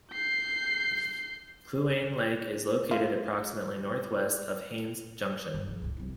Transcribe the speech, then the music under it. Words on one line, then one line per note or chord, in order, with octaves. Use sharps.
Kluane Lake is located approximately northwest of Haines Junction.
G6 C7
F4
G2
C#3 F3
C#2 A2
C2 E4